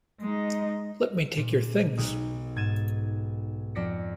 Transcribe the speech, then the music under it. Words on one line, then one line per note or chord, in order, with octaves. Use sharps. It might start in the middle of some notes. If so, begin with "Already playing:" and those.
Let me take your things.
G#3 D#4
A#2
B1 D#6
G#2 G#6 A6 D#7 E7
F2 C4 D5 A#6 B6 C#7